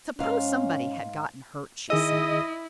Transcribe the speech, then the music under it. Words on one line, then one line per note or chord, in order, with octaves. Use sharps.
"Suppose somebody had gotten hurt," she said.
G#2 C#4 F5
D#3 E4 G#4 D#5 E6